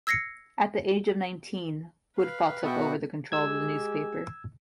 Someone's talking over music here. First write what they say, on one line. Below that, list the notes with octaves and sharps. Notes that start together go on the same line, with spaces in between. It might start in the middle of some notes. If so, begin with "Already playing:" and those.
At the age of nineteen, Woodfall took over the control of the newspaper.
E6 G#6 A#6 C7 C#7
B4 F5
B2 B3 F#4 E5 G5
G#3 G4 G#4 E6 G#6